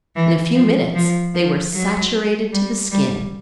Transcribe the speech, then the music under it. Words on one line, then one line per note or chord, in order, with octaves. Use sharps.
In a few minutes they were saturated to the skin.
E3
F3
F3
F3
F#3
G3
G3